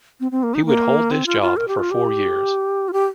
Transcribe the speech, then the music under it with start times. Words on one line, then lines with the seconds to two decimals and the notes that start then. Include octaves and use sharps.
He would hold this job for four years.
0.20 C4
0.32 C4
0.43 A#3
0.54 D#4
0.66 A#3
1.11 C4
1.26 F4
1.42 F4
1.57 A#4
1.68 G4
1.79 F4
1.91 G4
2.89 F4
2.93 G4